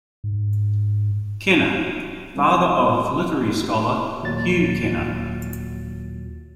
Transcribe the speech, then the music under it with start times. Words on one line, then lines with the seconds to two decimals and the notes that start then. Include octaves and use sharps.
Kenner, father of literary scholar Hugh Kenner.
0.24 G#2
2.35 C2
4.23 D#2 A#2 F#3 A6